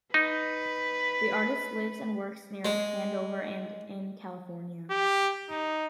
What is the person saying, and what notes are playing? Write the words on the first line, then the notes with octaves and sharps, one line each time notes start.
The artist lives and works near Hanover and in California.
D#4 B4
G#3
G4
D#4